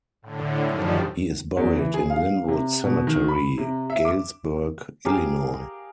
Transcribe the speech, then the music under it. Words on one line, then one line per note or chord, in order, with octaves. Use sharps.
He is buried in Linwood Cemetery, Galesburg, Illinois.
A2 D3
F#2 D#3 F3 G3
E2
E3
G#4
F5
C3
B2
D#3
B5
C3
E5
D6
G4 G#4 A#4 F5